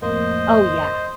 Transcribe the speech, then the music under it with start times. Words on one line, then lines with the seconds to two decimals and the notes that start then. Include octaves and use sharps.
Oh, yeah.
0.02 F2 A2 A#3 C5 D#5